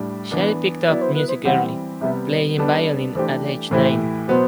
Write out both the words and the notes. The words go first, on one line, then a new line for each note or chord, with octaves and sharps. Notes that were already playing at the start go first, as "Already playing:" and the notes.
Shari picked up music early, playing violin at age nine.
Already playing: A2 G3 D4
E3 B3 D4
F#3 B3 E4 D5
C5
B4
C5
E3 G3 C4 E4 G4 F#5
C3 G3 B3 E5
D5
G3 B3 D4 A4 B4
E3 A3 D4 G4 C5
D5
A2 E3 A3 E4 G4 C5
B2 F#3 B3 C5